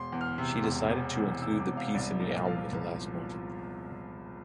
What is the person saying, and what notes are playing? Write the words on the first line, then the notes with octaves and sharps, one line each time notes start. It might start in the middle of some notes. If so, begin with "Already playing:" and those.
She decided to include the piece in the album at the last moment.
Already playing: E1 C6
E2
F6
C3
E1
E1
E2
C3 E6
D6
E1
F5
C2 D5
A#2
F5
F3 F5
C2